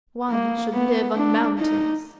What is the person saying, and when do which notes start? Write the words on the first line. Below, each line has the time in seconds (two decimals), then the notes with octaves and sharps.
One should live on mountains.
0.30 A#3
0.73 B3
1.16 D4
1.59 D#4